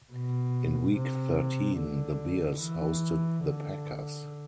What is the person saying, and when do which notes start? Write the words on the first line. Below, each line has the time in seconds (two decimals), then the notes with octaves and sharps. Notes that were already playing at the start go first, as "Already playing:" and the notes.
In Week Thirteen, the Bears hosted the Packers.
0.13 B2
0.96 C3
1.78 D3
2.61 E3
3.44 D3